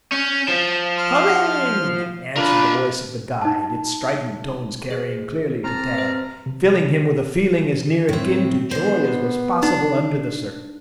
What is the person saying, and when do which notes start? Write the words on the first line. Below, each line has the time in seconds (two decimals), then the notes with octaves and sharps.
"Coming!" answered the voice of the guide, its strident tones carrying clearly to Tad, filling him with a feeling as near akin to joy as was possible under the circumstances.
0.12 C#4 G6
0.48 F3
0.97 C6 F6
2.36 D4 F4 A#4 B5
3.42 D#4 A5
4.91 G#4 C5
5.64 C4 G4 A5 A#5 F6
5.94 B4 C5
6.46 C3
6.94 G4
8.09 A2 C4
8.71 D3 B3 C5
9.63 D4 D#4